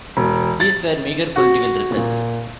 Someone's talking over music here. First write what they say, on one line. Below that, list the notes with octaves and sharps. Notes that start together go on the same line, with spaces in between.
These were meagre political results.
E1
A6
F#4
A#2